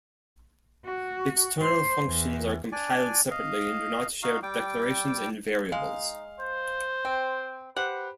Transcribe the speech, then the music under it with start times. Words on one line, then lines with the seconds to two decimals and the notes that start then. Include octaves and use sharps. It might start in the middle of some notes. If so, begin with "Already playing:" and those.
External functions are compiled separately and do not share declarations and variables.
0.85 F#4
1.61 C5
2.06 E2
2.72 D4 D5 G#5
3.31 D#5 F5
4.23 D#4 F#4 F5
4.43 G3 G5 D6
5.72 G#3 D#4 F5
6.40 C5
7.05 C4 G5
7.76 G4 B4 C5 F#5